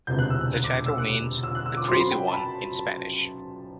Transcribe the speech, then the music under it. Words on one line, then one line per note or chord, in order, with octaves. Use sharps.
The title means "The Crazy One" in Spanish.
E1 D2 C3 E3 G6
F#6
E6
F#6
F#6
D6
E6
F#6
E6
F#6
E6
D6
F#2 F#3 C4 C6
B5
G5
A5
B5